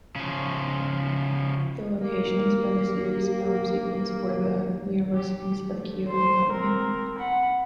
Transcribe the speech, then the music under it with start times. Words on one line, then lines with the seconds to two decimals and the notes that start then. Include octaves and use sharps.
The locations for the series' filmed sequences were the universities of Keele and Birmingham.
0.16 C#3 F3
2.00 A#3 G4
5.14 G4
5.68 A3
6.08 C5
6.50 C4 A#4
7.18 F#5 B5